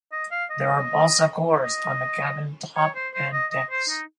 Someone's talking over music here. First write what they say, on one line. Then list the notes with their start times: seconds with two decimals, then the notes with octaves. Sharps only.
There are balsa cores on the cabin top and decks.
0.12 D#5
0.31 F5
0.50 D#5
1.63 D#5
2.76 C#5
2.95 C5
3.14 C5
3.33 D#5
3.51 D#5
3.71 C5
3.90 D#4